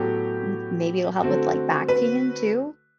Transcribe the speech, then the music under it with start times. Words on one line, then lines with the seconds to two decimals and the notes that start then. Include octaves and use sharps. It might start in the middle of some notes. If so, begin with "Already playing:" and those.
M maybe it'll help with, like, back pain, too?
Already playing: A2 F#3 B3 F#4 G4 A4
1.22 D3 A3 C4 F#4 A4
1.88 B4